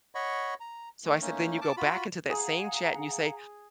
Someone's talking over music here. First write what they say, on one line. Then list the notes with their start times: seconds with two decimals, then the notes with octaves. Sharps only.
So I said, "Then you go back into that same chat and you say,
0.15 C#5 D#5 F#5 B5 C#6
0.60 A#5
1.04 D#3 A3
1.21 A3 A#3 C#4 D#4
1.61 A5 D6
1.77 F4 F#4 B5
2.30 G#4 F5 F#5 A#5